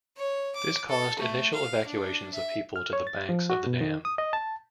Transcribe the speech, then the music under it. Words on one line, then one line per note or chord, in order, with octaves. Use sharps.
This caused initial evacuations of people to the banks of the dam.
C#5
D6
A4
A3
F5
D4
E5
F6
C#5
A6
F3
F#4
B2
D#3
D#6
D#5
A5